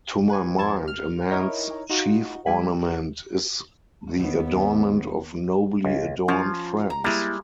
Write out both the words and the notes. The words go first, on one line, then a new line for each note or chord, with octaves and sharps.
To my mind a man's chief ornament is the adornment of nobly-adorned friends.
B4 G#5
F2 A4 A5 G#6
F6
D#4 E4 A#4 C#5 D#5
D#4 F4 F#4
G3 G#5 B5
D#2 B3
C#2
F3 C#4 F4
A#5
G3 G#3 A#3 E4